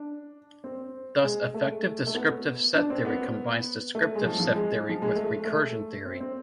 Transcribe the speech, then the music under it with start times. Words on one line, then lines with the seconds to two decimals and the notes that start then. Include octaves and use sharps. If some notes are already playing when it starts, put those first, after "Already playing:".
Thus effective descriptive set theory combines descriptive set theory with recursion theory.
Already playing: D4
0.64 C4
1.24 G#3
1.54 A3
2.07 A3
2.15 B3
2.74 D4
2.90 C4
3.05 B3
3.95 A3
4.15 G#3
4.25 F3
4.40 F3
4.55 G#3
4.89 F3
5.02 G#3
5.16 A3
5.45 A3
6.06 C4
6.20 C4